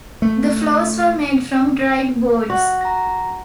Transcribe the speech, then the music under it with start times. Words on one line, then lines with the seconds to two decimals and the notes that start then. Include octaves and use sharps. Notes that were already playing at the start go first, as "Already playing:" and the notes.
The floors were made from dried boards.
0.22 A3
2.50 F#4
2.81 A#5 A#6